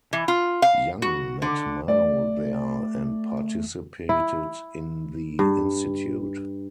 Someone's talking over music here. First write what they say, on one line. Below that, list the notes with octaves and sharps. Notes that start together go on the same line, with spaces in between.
Yang met Mao there and participated in the institute.
E3
F4
F5
F#4
D3
A3 D5
E4
G2